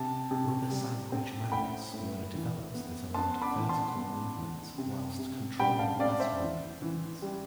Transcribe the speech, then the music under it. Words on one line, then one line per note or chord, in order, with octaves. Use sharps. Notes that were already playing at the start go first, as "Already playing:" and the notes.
Rubber sandwich mounts were developed that allowed vertical movement whilst controlling lateral movement.
Already playing: C3 A5
C3
G3
C4
A2 G5 B5
A2
E3
B3
B3 A5 C6
B5 D6
E3
A5 C6
B3
E3
C3
C3
G3 G5 B5
F5 A5
C4 D5 F5
C5 E5
E3
E3
G3